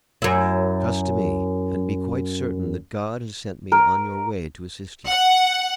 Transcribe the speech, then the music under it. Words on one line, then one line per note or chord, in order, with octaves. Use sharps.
Trust to me, and be quite certain that God has sent me on your way to assist you.
F#2 E4
A#4
F#5